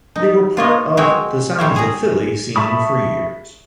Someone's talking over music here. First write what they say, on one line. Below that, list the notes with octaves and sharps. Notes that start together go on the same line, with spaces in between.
They were part of "The Sounds Of Philly" scene for years.
D#4
F4 C#5 D#5
G#3 C4 F#4 C#5 G5
A2 G3 C5 C#5
G#4 A#5
E5 A5 B5 C#6 D#6